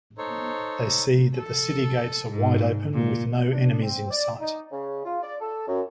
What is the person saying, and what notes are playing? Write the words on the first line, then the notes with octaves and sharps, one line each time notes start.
They see that the city gates are wide open with no enemies in sight.
D#4 A4 C5 C#5
A4
G#2
A#2
D4
C4
D5
D#4
C#3
F4
D5
A4
F#2